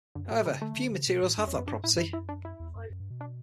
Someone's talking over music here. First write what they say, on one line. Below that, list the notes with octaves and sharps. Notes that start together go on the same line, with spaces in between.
However, few materials have that property.
F#2 D3
A2 F#3
C#3 G3
D3 A3
D3
C#3
B2
A2
F#2 D4
E2 C#4
F#2 B3
G2 D4
A2 E4
F#2 E4
E4
D4
E4
E2
F#2
F#2
G2
B2
D4